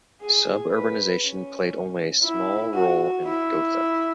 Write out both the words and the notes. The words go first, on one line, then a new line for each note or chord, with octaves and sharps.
Suburbanization played only a small role in Gotha.
G#4
B4
C#4
E4
F#4
E4